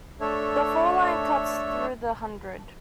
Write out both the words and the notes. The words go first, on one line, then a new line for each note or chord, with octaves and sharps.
The fall line cuts through the hundred.
A3 D4 A4 C#5 E5